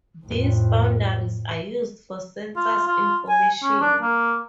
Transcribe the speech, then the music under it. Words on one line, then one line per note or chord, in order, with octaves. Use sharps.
These boundaries are used for census information.
F2 A2
F4
F4
G#5
C#4
D4
A#3